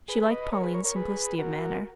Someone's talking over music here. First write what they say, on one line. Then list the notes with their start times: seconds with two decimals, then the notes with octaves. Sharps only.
She liked Pauline's simplicity of manner.
0.08 G#4 B4
0.30 B4 D#5
0.52 A#4 C#5
0.63 G#4 B4
0.74 A#4 C#5
0.84 A#4 C#5
0.96 G#4 B4
1.39 F#4 A#4